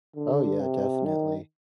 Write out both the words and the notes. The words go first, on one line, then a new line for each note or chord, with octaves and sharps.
Oh, yeah. Definitely.
D3
C3
D#3